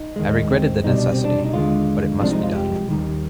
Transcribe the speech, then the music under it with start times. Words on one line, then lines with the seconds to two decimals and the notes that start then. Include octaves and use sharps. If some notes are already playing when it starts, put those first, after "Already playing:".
I regretted the necessity, but it must be done.
Already playing: D#4
0.16 D#2 D#3 G#3
0.50 C4
0.84 C2 B2 G3 D#4
0.98 D4
1.12 C4
1.25 D4
1.45 D#4
1.53 D#2 D3 G#3 F4
2.20 C2 C3 F3 G#3 D4
2.31 D#4
2.43 F4
2.55 G4
2.89 D#2 D#3 G3